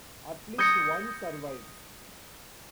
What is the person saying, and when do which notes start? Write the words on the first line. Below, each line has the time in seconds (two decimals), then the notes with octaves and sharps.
At least one survives.
0.58 D#6 G6 G#6 A#6 C#7